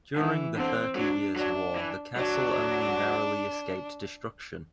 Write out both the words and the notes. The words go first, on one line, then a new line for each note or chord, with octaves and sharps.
During the Thirty Years' War the castle only narrowly escaped destruction.
D3 E3
D3 C4
F#3 D4
F#3 D4
E3
F#3 D4